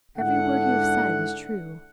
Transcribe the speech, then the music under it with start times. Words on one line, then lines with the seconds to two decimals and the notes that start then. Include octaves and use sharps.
Every word you have said is true.
0.18 G#2 D3 E4 F#5